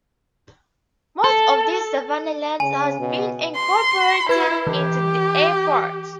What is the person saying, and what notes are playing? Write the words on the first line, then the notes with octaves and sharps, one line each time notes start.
Most of this savanna land has been incorporated into the airport.
A4
C#3 G#5
B2
C6
E4 B4 G#6
E3 G4